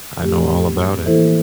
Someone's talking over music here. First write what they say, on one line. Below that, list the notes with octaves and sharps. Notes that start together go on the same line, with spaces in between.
I know all about it.
A2 F3 A3 C4 G4
E3 A#3 E4 A4 C5